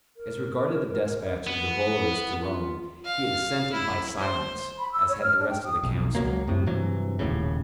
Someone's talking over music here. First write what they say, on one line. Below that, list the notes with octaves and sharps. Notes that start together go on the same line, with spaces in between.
As regarded the despatch of the volors to Rome, he had assented by silence, as had the rest of the Council.
A#4
B3
E4
F4
F5
E4
C5
B5
E6
C#5
F6
D4
G5
D#6
B1
C#2 F#3 A#3
F#2 A2 C3
G2 C3 E3 F#3
D#1 D#2 A2 C#3